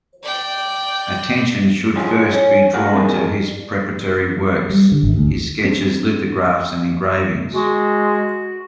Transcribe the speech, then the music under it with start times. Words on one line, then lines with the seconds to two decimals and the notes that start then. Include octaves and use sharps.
Attention should first be drawn to his preparatory works: his sketches, lithographs, and engravings.
0.23 D5 G5
1.96 G#2 F3 D#4 G#4
2.33 C#4
2.74 C#2 A#2 A3 F#4 F5 F#5
2.93 C3 E3 A3 A#3 D#4 G#4
4.70 G3
4.92 D3
5.03 G#1
5.16 D2
5.64 B3 C4 D4
7.54 G#3 F#4